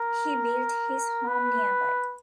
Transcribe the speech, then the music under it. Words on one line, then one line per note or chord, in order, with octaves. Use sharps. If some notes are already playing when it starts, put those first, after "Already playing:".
He built his home nearby.
Already playing: A#4
B4